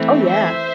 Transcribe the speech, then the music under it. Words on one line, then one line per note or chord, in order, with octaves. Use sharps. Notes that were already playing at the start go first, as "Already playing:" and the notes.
Oh, yeah.
Already playing: E3 A3 C4
C5 E5